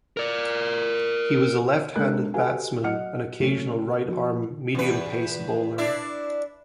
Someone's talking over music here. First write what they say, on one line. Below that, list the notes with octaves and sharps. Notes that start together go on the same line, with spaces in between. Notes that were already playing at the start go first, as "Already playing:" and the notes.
He was a left-handed batsman, and occasional right-arm medium-pace bowler.
A#4 D5
G#3 D4 A4 A#4 F#6
F#4 G4 A4 B4 F5 G#5
F#3 D#5 F#5 F6 C#7
C#3 F#3 A3 C#4
F3 F#4
E2 B4
D4 E4 D5